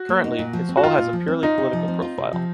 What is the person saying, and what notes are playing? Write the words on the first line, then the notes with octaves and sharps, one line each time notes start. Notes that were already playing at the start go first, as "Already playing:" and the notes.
Currently, his hall has a purely political profile.
Already playing: F#4
A#3
D#4
A#2
F3
C4
F#4
D#4 F4
A#2
F3
C4
D#4 F4
C3
F3
C4
F4
C3
F3